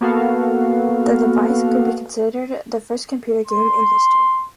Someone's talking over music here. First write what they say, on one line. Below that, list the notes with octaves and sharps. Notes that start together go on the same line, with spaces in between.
The device could be considered the first computer game in history.
A#3 B3 F#4 A4 F5
C6